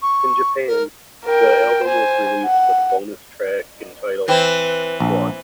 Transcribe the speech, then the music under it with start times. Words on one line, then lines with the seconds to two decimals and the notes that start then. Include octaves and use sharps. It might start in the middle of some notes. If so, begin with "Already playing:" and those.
In Japan, the album was released with a bonus track entitled "Flood".
0.02 C#6
0.67 A#4
1.25 A#4 G5
1.84 C5 G#5
2.44 F#5
4.28 E3 C4 B4
5.00 A#1